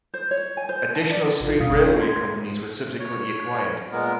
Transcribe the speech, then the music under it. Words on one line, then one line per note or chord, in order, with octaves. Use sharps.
Additional street railway companies were subsequently acquired.
C5
C#5
G#5
C5
A5
D5
G#1 C3 F4 A4
G1 D#2 B2 G3 F5 D#6
C#4 D4 F4 G#4 C#5
C6 G#6
C#5
A#2 G#3 B3 A#4